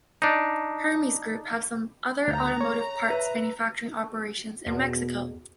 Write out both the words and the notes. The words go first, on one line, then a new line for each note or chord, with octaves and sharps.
Hermes-Group have some other automotive parts manufacturing operations in Mexico.
D4 D#4
D2 A#5 G6
C#5
B4 E5
E2 B2